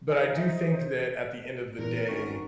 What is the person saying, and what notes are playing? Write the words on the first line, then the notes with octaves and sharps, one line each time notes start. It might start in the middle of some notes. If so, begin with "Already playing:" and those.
But I do think that at the end of the day,
D#4 G#5
C5 E5
E2 A#2 A#4 B4
G#1 C#4 D#4 F#4 C#6